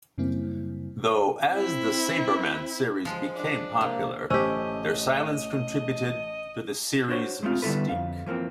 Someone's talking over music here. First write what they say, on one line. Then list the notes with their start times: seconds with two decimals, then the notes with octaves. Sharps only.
Though as the "Sabreman" series became popular, their silence contributed to the series' mystique.
0.18 F#2 C#3 G3 A#3 C4 E4
1.50 C4 E4
3.05 F3 G#3
3.35 D4
3.81 C3 A#3
4.30 A1 A3 C#4 G4 C5 D#5 E6
7.08 D4 F#4 C5 C#5
7.43 G#3 A3 C4 F4
7.62 D3 G3 B3 E4 A4 B4
7.89 F2 F5
8.26 E3 F3 A#3 C4